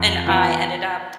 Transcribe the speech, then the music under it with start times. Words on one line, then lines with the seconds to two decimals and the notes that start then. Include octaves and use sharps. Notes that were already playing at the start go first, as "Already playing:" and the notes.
and I ended up
Already playing: F2
0.27 E3 B3 F4